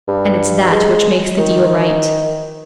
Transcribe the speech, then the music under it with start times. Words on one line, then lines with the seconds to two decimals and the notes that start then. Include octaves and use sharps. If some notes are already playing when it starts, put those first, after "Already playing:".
And it's that which makes the deal right.
0.08 G2
0.71 G#3
1.38 D#3